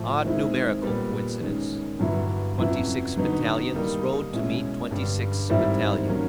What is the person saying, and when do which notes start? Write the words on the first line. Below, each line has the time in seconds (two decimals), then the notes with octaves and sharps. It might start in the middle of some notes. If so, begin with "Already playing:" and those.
Odd numerical coincidence,--twenty-six battalions rode to meet twenty-six battalions.
Already playing: A2 F3 A3
0.24 D#3 G#3 C4 E4
0.83 A#2 G3 B3
1.41 D#3 G#3 C#4
1.99 G2 D3 F#3 B3 E4
2.58 F2 C#3 F#3 B3 E4
3.16 D3 F#3 B3 D#4
3.74 D#3 G3 A#3 D#4
4.33 B2 G#3 C#4 E4
4.91 G2 D3 G3
5.49 G#2 D#3 G3 C4 E4
6.08 D#3 F#3 A#3 C#4